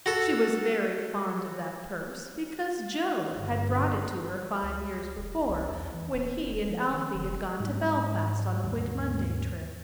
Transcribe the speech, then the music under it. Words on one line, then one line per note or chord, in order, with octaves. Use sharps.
She was very fond of that purse because Joe had brought it to her five years before when he and Alphy had gone to Belfast on a Whit-Monday trip.
F#4 A4
G1
C#2
E1
C2
E2
E3
D1
E1
F3
D#3
F1
G#2 G#3
D#2 G#2 D3